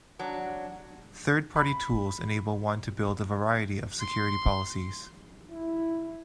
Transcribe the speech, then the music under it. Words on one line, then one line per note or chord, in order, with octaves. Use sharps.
Third-party tools enable one to build a variety of security policies.
F#3 D4
B5
C6
E4